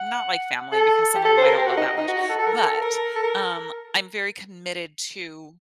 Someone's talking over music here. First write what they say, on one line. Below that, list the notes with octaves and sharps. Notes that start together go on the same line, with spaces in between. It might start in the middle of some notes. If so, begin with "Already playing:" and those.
not like family because some of 'em I don't love that much. But, um, I'm very committed to
Already playing: F#5
A4
G4
A4
C5
A#4
G4
F#4
D#4
D#4
F#4
F#4
A4
A4
A#4
A4
A#4
A4
A#4
A4
A#4